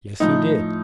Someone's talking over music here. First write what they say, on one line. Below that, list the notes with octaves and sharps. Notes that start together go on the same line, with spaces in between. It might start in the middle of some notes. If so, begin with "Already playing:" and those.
Yes, he did.
A2 F3 D#4